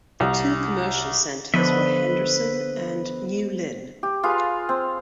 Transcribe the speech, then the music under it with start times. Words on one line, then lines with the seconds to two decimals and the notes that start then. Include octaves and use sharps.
The two commercial centres were Henderson and New Lynn.
0.20 C2
1.54 D3 F3 B3 B4 C5 D#5 E5
4.03 G4
4.23 F4 G#4 B4
4.69 C4